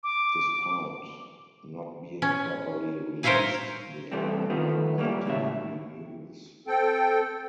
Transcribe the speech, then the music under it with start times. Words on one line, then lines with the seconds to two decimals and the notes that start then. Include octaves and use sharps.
Despite not being properly released, the album got positive reviews.
0.04 D6
2.22 C#4
3.23 A#4 C5 C#5 E5 F5 G#5
4.12 C3 E3 G3 A3 C4
4.50 D#3 F3 A3 B3
4.98 F#3 G3 A#3 E4
5.25 C#2 A2 C#3 E5
6.67 C4 A4 G5